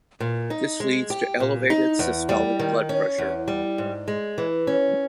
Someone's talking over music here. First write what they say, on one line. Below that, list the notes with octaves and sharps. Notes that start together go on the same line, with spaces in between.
This leads to elevated systolic blood pressure.
A#2
D#4
G#3
G4
A#2
D#4
E2
G3
D#3
C#4
E2
G3
G#2
G#3
E3
C#4